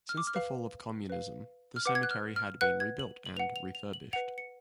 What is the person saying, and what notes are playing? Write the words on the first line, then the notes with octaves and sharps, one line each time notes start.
Since the fall of communism, the cemetery had been rebuilt and refurbished.
F6
D6
F6
B4 F5
B4 F5
F6
B4 F#5 D6
G#6
F#6
F6
F6
B4 F#5 F#6
G#6
F#7
F#7
B4 F#5 F7
F7
F7
F#7
B4 F#5 F7
C#7